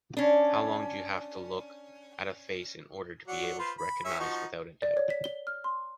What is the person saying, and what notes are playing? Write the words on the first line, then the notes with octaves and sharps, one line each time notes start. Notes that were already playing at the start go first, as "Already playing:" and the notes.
How long do you have to look at a face in order to be able to recognize without a doubt.
C#4 D4
F#3 D5 F#5
F4 B4 C5
B5
C#4 G#4 E5
F3 D#4 F#4
D5
C#5
B6
G7
F6
C6